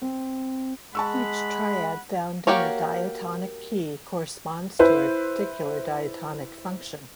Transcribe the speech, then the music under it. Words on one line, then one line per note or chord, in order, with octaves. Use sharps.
Each triad found in a diatonic key corresponds to a particular diatonic function.
C4
G#3 F#5 A5 B5 C#6 E6
A#3 F#4 G4 A#4 C#5
E4 B4 C5